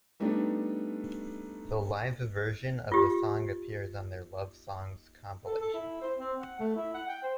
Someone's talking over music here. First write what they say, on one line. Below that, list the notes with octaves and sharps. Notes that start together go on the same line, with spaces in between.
The live version of the song appears on their "Love Songs" compilation.
G3 A3 B3 D4 D#4
F4 G4
A4
A4
E4
C5
C4
F#5
A3
E4
F#5
G5
C5